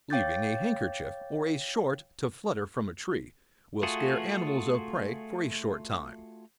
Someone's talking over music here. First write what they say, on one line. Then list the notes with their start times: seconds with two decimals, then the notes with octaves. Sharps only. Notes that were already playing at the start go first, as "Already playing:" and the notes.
Leaving a handkerchief or a short to flutter from a tree, will scare animals of prey for a short time.
0.10 C#5 F5 G5 D6 G6 A6
3.83 A3 F4 F#4 G#4